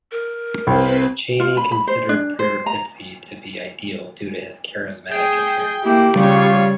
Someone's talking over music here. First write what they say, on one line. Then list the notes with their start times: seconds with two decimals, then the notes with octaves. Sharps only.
Cheney considered Piripitzi to be ideal due to his charismatic appearance.
0.11 A#4
0.67 C2 C4 B4 C5
1.40 F4
1.57 B5
1.72 B5
1.87 C5
2.09 D4
2.39 C5
2.66 A#5
5.12 G#4 G5
5.83 A#3 E4 G4 G5
6.16 C#3 G3 F4 C#5